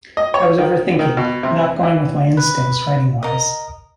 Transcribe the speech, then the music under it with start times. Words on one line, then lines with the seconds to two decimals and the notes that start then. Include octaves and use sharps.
I was over-thinking, not going with my instincts writing-wise.
0.17 D#5
0.34 C#5
0.58 D#3
0.99 D#3
1.17 B2
1.43 C3
1.83 E3
2.37 B4
3.23 A#4 D#5